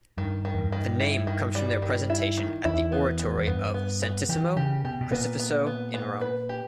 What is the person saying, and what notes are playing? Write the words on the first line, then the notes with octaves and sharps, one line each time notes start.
The name comes from their presentation at the Oratory of Santissimo Crocifisso in Rome.
G2 D#3
D#3
E2
G2
D#3
E4
D#3
G3
D#3
E4
D#3
E2 E4
B3
B3
E2
G2 B3
B3
B3
E3 G4
C#3 G4
B2 G4
B2
A#2 B3
B3
B3
B3
B4
G4